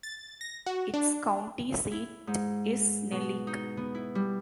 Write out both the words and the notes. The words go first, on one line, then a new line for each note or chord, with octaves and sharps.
Its county seat is Neligh.
A6
A#6
F#4
D4
E4
G#2
B2
D#4
B3
E4
G3